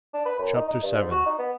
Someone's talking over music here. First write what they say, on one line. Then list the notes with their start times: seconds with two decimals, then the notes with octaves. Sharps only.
Chapter VII.
0.14 D4
0.26 B4
0.38 F#2
0.56 D#4
0.68 D#4
0.83 G2
0.98 G#2
1.11 F#4
1.26 D#4
1.39 B3